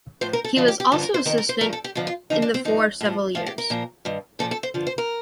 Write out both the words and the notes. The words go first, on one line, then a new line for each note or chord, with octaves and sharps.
He was also assistant in the for several years.
A2 F3 C5
A#4
A4
F2 D3 F3 F4
G4
G4
G2 D3 F3 A4
A#4
C5
F2 D#3 A#4
A#4
C5
G2 F3 A#4
A4
G4
F2 D3 F3 F4
F4
F2 D3 F3 D#4
D4
C4
G2 F3 D#4
A2 F3
A2 F3 F4
G4
A#4
A#2 F3
G2 D#3
A#2 F3 A4
A4
C5
G2 D3 F3
C5
A#4